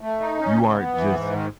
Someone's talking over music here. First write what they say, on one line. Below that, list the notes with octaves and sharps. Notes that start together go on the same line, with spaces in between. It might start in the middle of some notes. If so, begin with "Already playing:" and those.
you aren't just,
A3
D#4
C#4
C#3
B3
E3
G#2
D#3